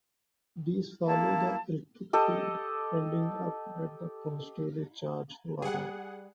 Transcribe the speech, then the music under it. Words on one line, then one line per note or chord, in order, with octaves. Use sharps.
These follow the electric field ending up at the positively charged wire.
A#3 E4 A5
G4 A4 D#5
G3 G#4 F#5